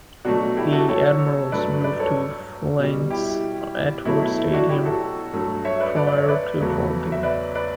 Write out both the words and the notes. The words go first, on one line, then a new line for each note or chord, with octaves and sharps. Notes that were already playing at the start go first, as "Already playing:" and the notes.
The Admirals moved to Flint's Atwood Stadium prior to folding.
B2 F#3 A3 D4 F#4
E4 G4
F#4 A4
A4 C#5
G2 F#3 A3 B4 D5
B4 D5
A4 C#5
B2 G3
E4 G4
B2 F#3 A3 E4
E4
E4
D4 F#4
E4 G4
F#4 A4
G2 F#3 A3
C#5 E5
B4 D5
B4 D5
B4 D5
C#5 E5
B4 D5
E2 C#3 F#3 A3
E5
B4 D5
B4 D5